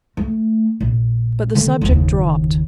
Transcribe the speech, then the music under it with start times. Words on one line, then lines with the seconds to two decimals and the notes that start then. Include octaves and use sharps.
But the subject dropped.
0.17 A3
0.81 A#1
1.55 D3 D#3
1.81 F#1 D#2